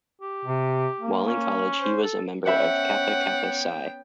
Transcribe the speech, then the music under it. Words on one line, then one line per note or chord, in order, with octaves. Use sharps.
While in college, he was a member of Kappa Kappa Psi.
G4
C3
A#3
C#4
C5
A4
B3 C#4 C5 E5 F#5 G5 B5